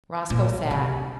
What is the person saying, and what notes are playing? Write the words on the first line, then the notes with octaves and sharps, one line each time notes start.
Roscoe sat.
A#2
C3